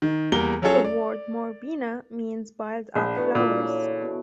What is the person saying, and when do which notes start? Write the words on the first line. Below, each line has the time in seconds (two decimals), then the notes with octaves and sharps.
The word "Moribana" means "piled up flowers".
0.02 D#3
0.32 E2 G3 A#3 G7
0.62 F#3 C#4 F4 G#4 A4 C#5
0.84 D5
2.96 A#1 D4 E4
3.16 E3 A3 B3 F#4
3.35 A#2
3.59 C#3
4.01 B2